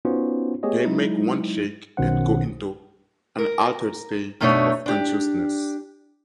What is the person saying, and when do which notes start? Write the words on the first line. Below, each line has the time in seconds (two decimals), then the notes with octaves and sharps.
They make one shake and go into an altered state of consciousness.
0.05 B3 C#4 D#4 F4 F#4 C5
0.63 A3 B3 G4 G#4 C#5 D#5
0.85 F#3 G#3 D#4 E4
1.97 B1 B2 D#3 C#4 C5 F#5
3.38 A#4
4.40 F#2 B2 A3 D4 D#4 C#5
4.86 D4 G4